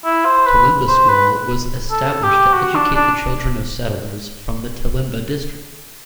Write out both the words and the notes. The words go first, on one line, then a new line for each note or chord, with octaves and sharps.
Tallimba School was established to educate the children of settlers from the Tallimba District.
E4
C5
B4
C5
B4
A4
G4
F#4
D4
D4